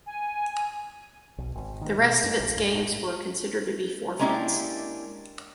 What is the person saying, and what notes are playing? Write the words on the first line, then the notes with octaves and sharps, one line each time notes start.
The rest of its games were considered to be forfeits.
G#5
B1
G#1
D#3
B2
G2
A#1
G2
A2
G#3 A#3 C#4 D4 E4 G4